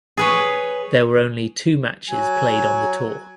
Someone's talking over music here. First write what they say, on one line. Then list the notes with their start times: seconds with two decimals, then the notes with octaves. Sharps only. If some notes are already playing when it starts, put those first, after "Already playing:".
There were only two matches played on the tour.
0.17 G#4 B4 C#5
2.09 F#3 G#5